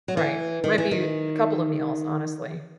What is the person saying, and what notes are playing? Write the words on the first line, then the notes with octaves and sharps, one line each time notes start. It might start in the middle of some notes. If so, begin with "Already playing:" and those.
Right, might be a couple of meals, honestly.
F#3
E3
D#3
E3
D#3